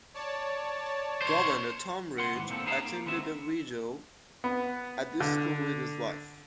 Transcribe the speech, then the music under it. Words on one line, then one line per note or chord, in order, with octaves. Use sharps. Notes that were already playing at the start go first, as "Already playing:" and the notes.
Governor Tom Ridge attended a vigil at the school with his wife.
C#5 D5 A5
C5 C#5
C2 F#5 C6
G#2 D#3 E3
A#2 A#3 C4 A4
B3 D#4 G#4 F5 A5 A#5
A#3
D#3 G#3 B3 C4 E5
B3
D3